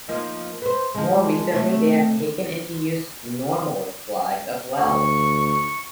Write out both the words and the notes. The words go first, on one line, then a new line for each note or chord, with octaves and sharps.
More recently they have taken into use "normal" flags as well.
F3 A#3 D#4
B4 C5
F3 G#3
C3 A3
D2 C#6
C#6